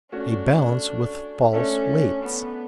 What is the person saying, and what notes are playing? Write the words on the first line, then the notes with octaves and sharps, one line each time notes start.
A balance with false weights.
A3 C#4 D4 F#4
A3 C#4 D4 A4 E5
B3